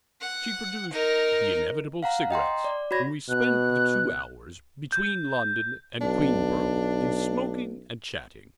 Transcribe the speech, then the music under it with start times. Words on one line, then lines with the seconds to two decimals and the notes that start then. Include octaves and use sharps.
She produced the inevitable cigarettes, and we spent the two hours between London and Queenborough in smoking and chatting.
0.21 F#5
0.92 D#4 A#4
2.03 F5 F#5 A#5
2.31 D#5 G5 A#5 C6
2.64 D5
2.91 F#4 C#5 B5 G#6 A#6
3.29 B2 F#6
4.92 G6
6.01 B1 D4